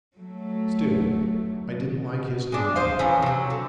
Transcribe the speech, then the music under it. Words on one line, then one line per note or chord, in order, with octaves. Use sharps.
Still, I didn't like his eye.'
F#3 A3
G#3 D4
C5 D#5 F5
E3 F3 C#4
C3 F#3
D3